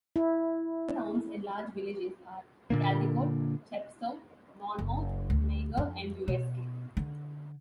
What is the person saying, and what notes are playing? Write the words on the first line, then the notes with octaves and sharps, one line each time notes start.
Other towns and large villages are Caldicot, Chepstow, Monmouth, Magor and Usk.
E4
A#2 D3 A#3
F#1
D2
F2
B2
D3